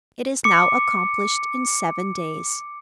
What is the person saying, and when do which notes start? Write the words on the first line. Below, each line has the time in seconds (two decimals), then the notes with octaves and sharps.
It is now accomplished in seven days.
0.44 D6 C#7